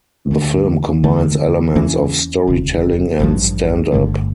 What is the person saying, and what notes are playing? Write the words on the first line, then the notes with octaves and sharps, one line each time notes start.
The film combines elements of storytelling and stand-up.
D2 D3 A3 D4
D2 D3 A3
E2 E3 A#3 C#4
E1 D2 C#3
A1 G2 F3
G1 G2 D3 A3